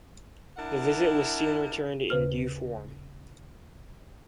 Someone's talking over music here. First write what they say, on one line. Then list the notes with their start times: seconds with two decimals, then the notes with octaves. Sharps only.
The visit was soon returned in due form.
0.57 D4 E4 A#4 F#5
2.10 D#2 C#3 B4 C5 F6